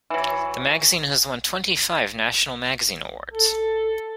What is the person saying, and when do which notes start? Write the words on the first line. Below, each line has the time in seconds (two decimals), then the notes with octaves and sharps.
The magazine has won twenty-five National Magazine Awards.
0.10 E3 F#3
3.34 A4